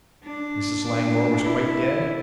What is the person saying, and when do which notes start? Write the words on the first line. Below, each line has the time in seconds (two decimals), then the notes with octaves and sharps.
"Mrs. Langmore was quite dead?"
0.24 D4
0.84 D4
1.45 E4